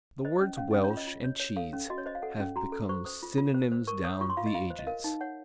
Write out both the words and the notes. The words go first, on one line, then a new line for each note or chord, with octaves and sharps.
The words Welsh and cheese have become synonyms down the ages.
C5 D#5
C#4
C#4 F5
C#4 D#5
C#5
F4
D#5
F4
C#5
C#5
A4 F5
C#4
F#4 D#5
C#5
C5 D#5
F5
A4 F#5
C#4
F#4 A#5
A4
C5 C#6
C5 D#6
F4
F4
C5
C5
A#4 C#6
C#5 D#6
F4 C#6
C6
F4 F5
D#5
F4 F5
C5
D#5
A#4 F5
D#4
C#5 F#5